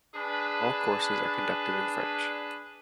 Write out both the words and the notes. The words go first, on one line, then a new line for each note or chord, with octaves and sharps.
All courses are conducted in French.
D4 G#4 B4